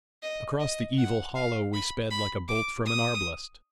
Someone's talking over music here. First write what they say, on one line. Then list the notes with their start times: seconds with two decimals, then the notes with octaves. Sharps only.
Across the evil hollow we sped like a bolt from an arblast.
0.23 D#5
0.60 D#5
0.98 F#5
1.36 F5
1.74 B5
2.11 B5
2.48 D6
2.86 D#6